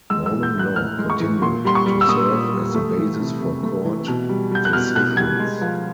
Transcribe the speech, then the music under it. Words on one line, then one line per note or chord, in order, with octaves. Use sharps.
Norman law continued to serve as the basis for court decisions.
G#3 E6
E6
E3
G6
A2 F#6
A2 F6
G#3
C#6
E3
A#2 C6
G3 C6
C#6
G3
E6
A#2 D#6
A#2
G3
A3
E3
C3
C3
A3
E3
B2
G3
G3 G6
F#6
B2 F6
B2 F#6
G3 G#6
G#3
F3